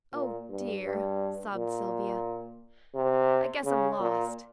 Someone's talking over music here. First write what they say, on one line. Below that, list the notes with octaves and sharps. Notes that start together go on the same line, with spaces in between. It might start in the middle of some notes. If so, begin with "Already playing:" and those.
"Oh, dear," sobbed Sylvia, "I guess I'm lost."
A#2
G2
G2
A#2
C3
C#3
A#2